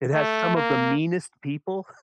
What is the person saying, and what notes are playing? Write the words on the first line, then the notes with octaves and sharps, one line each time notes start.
It has some of the meanest people,
A3
A#3